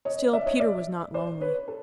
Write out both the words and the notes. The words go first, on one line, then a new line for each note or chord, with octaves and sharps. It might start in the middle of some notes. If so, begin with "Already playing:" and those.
Still Peter was not lonely.
C#5 D#5
D5 E5
C#5 D#5
D5 E5
C5 D5
B4 C#5
A4